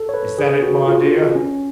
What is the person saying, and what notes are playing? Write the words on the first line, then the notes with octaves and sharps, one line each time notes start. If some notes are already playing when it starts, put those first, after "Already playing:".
Is that it, my dear?'
Already playing: A4
C#5
B4
G#4
F#4
F4
C#4